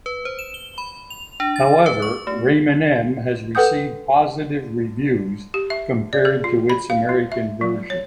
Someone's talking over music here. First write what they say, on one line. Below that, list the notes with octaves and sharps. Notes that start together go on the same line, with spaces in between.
However "Rayman M" has received positive reviews compared to its American version.
B4
C5
E7
G7
B5
F7
D4
A6
B4
C#6
A3
A4 B4 F#5 G5 D#6 G6
G4
E5
D5
G#4
F4
B5
F5
F4
E5
F#3
C#5